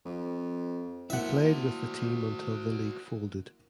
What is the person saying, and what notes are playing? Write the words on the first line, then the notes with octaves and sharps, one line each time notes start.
He played with the team until the league folded.
F2
A#3 E4 F#4 C5 E5 F#5